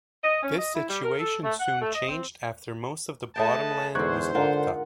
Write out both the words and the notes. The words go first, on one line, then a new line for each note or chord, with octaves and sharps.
This situation soon changed after most of the bottom land was locked up.
D#5
C#4
D#5
E4
G3
A#4
A4
A3
F#5
A3
D#5
C4
A3 G#4 B4 D#5 G5 A5
E2 G#2 D3 C5 C#6 F#6 G#6
D3 F4 A#4 F#5